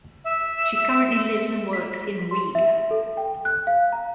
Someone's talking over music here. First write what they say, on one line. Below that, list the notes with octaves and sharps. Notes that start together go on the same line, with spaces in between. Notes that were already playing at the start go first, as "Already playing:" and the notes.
She currently lives and works in Riga.
E5
B6
C6
E5
A4
G5
F#6
F5
A#5